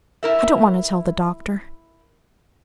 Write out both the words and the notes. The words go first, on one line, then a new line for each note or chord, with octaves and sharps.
I don't want to tell the Doctor.
E4 A#4 E5